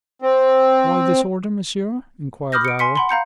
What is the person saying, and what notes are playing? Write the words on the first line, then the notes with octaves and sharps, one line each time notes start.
"Why this order, monsieur?" inquired Raoul.
C4
B5 D6 D#6 F6 G6 A#6
C#7 D7
G#5 C6 B6 C#7
F#5 B5 C6
F5 A#5 G6 C#7